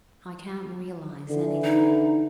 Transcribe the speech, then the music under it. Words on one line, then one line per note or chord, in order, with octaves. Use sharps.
I can't realise anything.
D3 E3
D#4